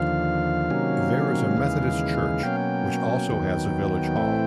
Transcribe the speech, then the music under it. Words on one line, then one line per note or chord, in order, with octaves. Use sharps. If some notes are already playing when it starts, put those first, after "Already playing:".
There is a Methodist Church, which also has a village hall.
Already playing: D#2 D3 F3 F5
C3 D#3 F#3 A#3 C#4
D#2 C#3 E3 G#3
B2 F#3 A#3 C#4 G5
D#2 D#3 F#3 B3
A2 E3 A3 C4